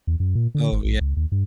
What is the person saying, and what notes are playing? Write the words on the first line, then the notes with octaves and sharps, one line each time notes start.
Oh, ye
E2
F#2
A#2
D3
G1
A#1
C#2
D#2
G2